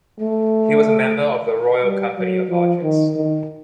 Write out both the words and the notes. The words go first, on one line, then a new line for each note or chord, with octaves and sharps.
He was a member of the Royal Company of Archers.
A3
G3
F#3
F3
D#3
D#3